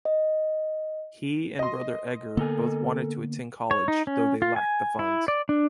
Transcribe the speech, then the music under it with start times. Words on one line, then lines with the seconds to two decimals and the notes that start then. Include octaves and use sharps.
He and brother Edgar both wanted to attend college, though they lacked the funds.
0.05 D#5
1.59 D#5 C6
2.37 D3 A#3 B3 A4 A#4 G#5
3.71 C#5
3.88 D#4
4.07 C#4
4.42 F4
4.56 G#5
4.99 E4
5.28 D5
5.49 D4